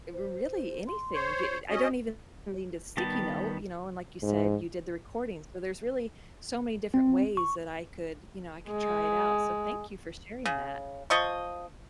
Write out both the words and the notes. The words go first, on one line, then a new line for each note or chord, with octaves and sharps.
r really anything, j I don't even need a sticky note, you know, and like you said, you did the recording, so there's really so many different ways that I could you know, I could try it out, so thank you for sharing that.
C5
C6
C5 C#5
C#4 F#4 D#5
D#3 G3 B3 G4 A5
G#2
C4
C#6
G#3
C#3
F3 D#5 C#6